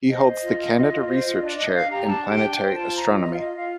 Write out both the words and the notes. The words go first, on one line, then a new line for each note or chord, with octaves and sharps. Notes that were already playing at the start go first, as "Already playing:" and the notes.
He holds the Canada Research Chair in Planetary Astronomy.
C5 D#5
C5
F4
F4
F4
F4
C5
F4
D4 D5
D4 D#5
D4 F5
G4 A#5
D4 A5
G4 G5
D4
G5
C5
F4 A5
C5
A#5
F4
D#5
F4
F5
F4 D#5
F4 F5